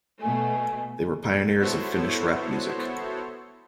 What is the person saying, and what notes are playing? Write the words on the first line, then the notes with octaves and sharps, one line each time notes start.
They were pioneers of Finnish rap music.
B2 A3 G#5
B3 E4 F#4 A4 C5 C#5